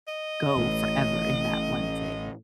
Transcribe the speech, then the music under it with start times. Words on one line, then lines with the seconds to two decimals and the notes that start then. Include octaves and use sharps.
go forever in that one thing,
0.08 D#5
0.57 A1 A2